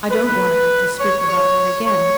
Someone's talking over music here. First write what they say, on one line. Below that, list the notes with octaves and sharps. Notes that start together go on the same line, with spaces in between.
I don't want to have to speak about it again.
B4
C#5
C#5
C#5